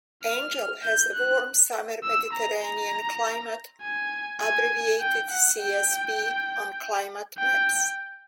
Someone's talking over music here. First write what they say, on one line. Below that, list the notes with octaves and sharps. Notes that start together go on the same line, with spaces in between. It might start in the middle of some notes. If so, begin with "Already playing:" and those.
Angel has a warm-summer Mediterranean climate, abbreviated "Csb" on climate maps.
F6
G6
F#6
E6
A#5
A#5
G#5
G#5
G5
F#5
G5
G5